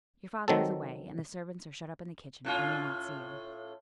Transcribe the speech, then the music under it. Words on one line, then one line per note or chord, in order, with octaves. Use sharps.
Your father is away, and the servants are shut up in the kitchen and will not see you.
D#3 F#3 C4 A4
A2 C#4 F4